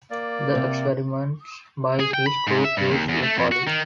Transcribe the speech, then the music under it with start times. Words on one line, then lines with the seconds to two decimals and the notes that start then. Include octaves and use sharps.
The experiments by his group used "E. coli".
0.10 A#3 D5
0.55 C3
2.00 G#4
2.14 G5
2.27 B5
2.47 G#2
2.64 E5
2.77 G2
2.91 D#2
3.09 E2
3.23 A3
3.37 F2
3.52 F#4
3.67 D#3